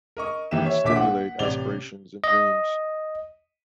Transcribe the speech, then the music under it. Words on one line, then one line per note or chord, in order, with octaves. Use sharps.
would stimulate aspirations and dreams
A#4 D#5 C#6
D#3 E3 A#3 G4 E5 E7
C#5 E5
D#1 A#1 E5 D6 B6
F#5
A1 C3 D5 F7 G7
D#5